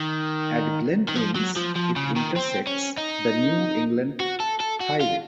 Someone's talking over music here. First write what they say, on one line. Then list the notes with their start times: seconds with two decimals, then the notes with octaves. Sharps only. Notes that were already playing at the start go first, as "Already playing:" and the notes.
At Glen Innes it intersects the New England Highway.
Already playing: D#3
1.09 D#3
1.16 F3
1.36 F#3
1.56 F3
1.75 F3
1.96 C#3
2.16 D#3
2.36 C4
2.67 C#4
2.98 D#4
4.20 F#4
4.40 A4
4.60 A4
4.80 F#4
5.00 F4